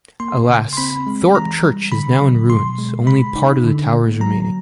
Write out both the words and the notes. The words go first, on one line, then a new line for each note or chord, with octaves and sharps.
Alas, Thorpe church is now in ruins, only part of the tower remaining.
A#3 C6
C#3
C6
C4 B5
G#3
E3 A#5
G3
D3 B5
F#3
B2 C6
G#3
C#3 B5
D#4
D3
A#3
F#3 A#5